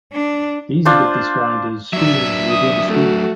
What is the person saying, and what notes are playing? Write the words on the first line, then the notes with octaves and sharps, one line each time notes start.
These have been described as 'schools within a school'.
D4
D4 F4 C5
F#3 D4 E5
D#6
A3 F#4